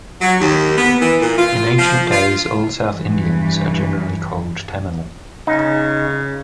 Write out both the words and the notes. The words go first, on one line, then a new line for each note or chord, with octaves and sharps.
In ancient days all south Indians are generally called Tamil.
F#3
D#2
B3
E3
A#2
F4
F3
F4
G2 E3
C#3 D#4